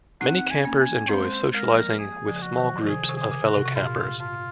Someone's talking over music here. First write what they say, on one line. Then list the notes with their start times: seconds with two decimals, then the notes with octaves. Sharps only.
Many campers enjoy socializing with small groups of fellow campers.
0.21 C4 D#4 F#5
0.51 G#5
0.65 A#3 C#4
0.80 G#5
1.09 G#3 C4 C5
1.54 G#3 A#4
1.63 A#3
1.72 F3 G#3
1.99 G#4
2.28 C#3 F3
2.42 F3 F#4
2.57 D#3 F#3
2.76 F3
2.87 C3 D#3 G#4
3.09 C3 D#3
3.16 G#4
3.32 C#3
3.46 F#4
3.54 C3
3.65 C3
3.75 A#2 F4
4.20 G#2 F4